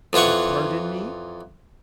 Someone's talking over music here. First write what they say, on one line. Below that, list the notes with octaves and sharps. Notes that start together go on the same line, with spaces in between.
"You pardon me?"
F2 E3 F4 F#5 C#6